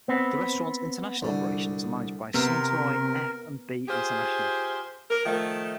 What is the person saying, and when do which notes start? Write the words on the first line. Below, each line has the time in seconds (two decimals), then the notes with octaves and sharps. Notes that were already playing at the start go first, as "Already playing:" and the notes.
The restaurant's international operations are managed by Suntory F and B International.
0.08 B3 C4
1.23 C2 D3
2.34 C3 B3 A#4 E5 C6
3.87 F4 G4 G#4 C5
5.10 A#4
5.25 D#3 F3 A3